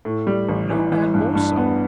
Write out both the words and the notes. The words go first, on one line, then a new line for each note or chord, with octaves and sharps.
"No man more so."
A2
G3
A1
E3
E3
G2
G2
B3